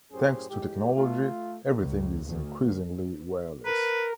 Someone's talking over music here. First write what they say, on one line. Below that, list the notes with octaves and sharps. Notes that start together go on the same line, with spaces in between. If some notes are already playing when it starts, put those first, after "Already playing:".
Thanks to technology, everything’s increasingly wireless.
F#2 A2 C#4 G4 G#4 C5
A2 E3 G#3 G4
A3 F4
C#2
D2
A#4 B4